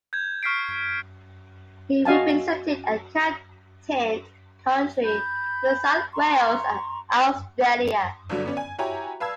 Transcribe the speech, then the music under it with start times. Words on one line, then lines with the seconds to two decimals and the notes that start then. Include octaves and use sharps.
He represented and captained Country, New South Wales and Australia.
0.13 G6 G#6
0.43 C#6 F6 B6 C7 D7
2.05 F#4 D#5 F5 G#5 A5
5.04 B5 G6
6.13 A#5 C6 C#6
8.29 G1 G2 D3 F#3
8.46 B3 C#4 D5
8.57 G#5
8.79 E4 F#4 G4 C#5 G#5 A#5
9.20 B4 F5 A5 E6 G#6